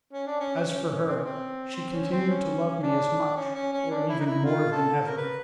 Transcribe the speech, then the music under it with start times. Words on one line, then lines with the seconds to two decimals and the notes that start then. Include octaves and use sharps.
As for her, she continued to love me as much, or even more than ever.
0.13 C#4
0.27 D4
0.40 C#4
0.67 C#4
0.94 C#4
1.07 C4
1.16 C#4
1.25 C4
1.75 C4
1.93 C#4
2.11 C4
2.29 C#4
2.79 C#4
2.83 D4
3.37 C#4
3.55 C#4
3.73 C#4
3.91 D4
4.09 E4
4.20 D#4
4.27 E4
4.45 F4
4.72 A4
5.07 A#4
5.18 B4